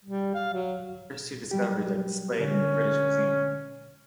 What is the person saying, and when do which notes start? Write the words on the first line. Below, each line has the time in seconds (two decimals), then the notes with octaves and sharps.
The first two discovered are displayed in the British Museum.
0.05 G3
0.35 F5
0.53 F#3
1.51 F#3 G3 G4
2.39 D3 C#4